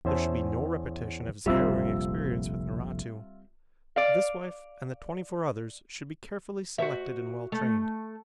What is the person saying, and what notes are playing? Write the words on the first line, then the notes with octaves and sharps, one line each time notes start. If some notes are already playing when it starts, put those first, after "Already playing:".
There should be no repetition of his harrowing experience with Naratu. This wife and the twenty-four others should be carefully selected and well trained.
E2 C#4 C5 E5 A5
F1 A#1 F2 G3 C4 F4 E5 E6
D5 F5
F#4 C5 E5
A3